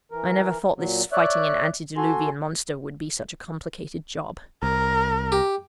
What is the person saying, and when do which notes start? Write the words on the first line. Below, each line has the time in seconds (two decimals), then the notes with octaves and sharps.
I never thought this fighting an antediluvian monster would be such a complicated job.
0.12 E3 A#4
0.76 A#2 F#3
1.13 C#5 D5 E5 F#6
1.97 F#4 A4 G#5 C6
4.63 C2 A#4
5.32 G4